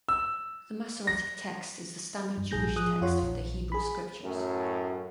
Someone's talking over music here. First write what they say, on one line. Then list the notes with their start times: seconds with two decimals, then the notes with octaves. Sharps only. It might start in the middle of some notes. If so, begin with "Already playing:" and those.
The Masoretic Text is the standard Jewish text for the Hebrew Scriptures.
0.08 E6
1.07 A#6
2.38 G2
2.51 A#1 G#2 G#4 G6 A#6
2.76 F3 G#4 D#6 F#6
3.01 F2 F4 C#5 F#5 C6
3.22 A#1
3.72 G#4 B5
4.23 F#2 A2